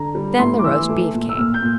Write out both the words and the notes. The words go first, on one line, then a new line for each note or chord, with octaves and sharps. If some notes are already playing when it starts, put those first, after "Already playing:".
Then the roast beef came.
Already playing: D3 A#5
G3
A2 C6
D6
E3 E6
A3
A#2
E6
A#2 F6
G6
A#2